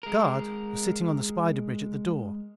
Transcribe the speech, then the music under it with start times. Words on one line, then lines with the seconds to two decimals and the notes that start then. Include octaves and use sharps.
"The guard was sitting on the spider bridge at the door."
0.03 G#3 A#4